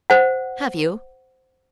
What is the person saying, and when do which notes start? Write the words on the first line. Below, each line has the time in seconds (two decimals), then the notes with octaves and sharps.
"Have you?"
0.10 C5 F#5